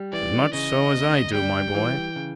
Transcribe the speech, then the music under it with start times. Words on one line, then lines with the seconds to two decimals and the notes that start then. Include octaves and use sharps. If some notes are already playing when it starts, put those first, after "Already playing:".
"As much so as I do, my boy!"
Already playing: G3
0.13 E3 D5
0.53 C#3 D#5
0.94 D2
1.34 G3 G5
1.74 E3
2.16 C#3